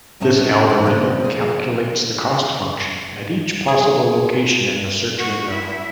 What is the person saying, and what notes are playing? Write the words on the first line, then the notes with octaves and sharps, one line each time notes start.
This algorithm calculates the cost function at each possible location in the search window.
D2 A2 C#4 D#4 A5
G#2 E3
C#3 F3 G3 A#3 C4 D4
G#4
G#4
F#4
E4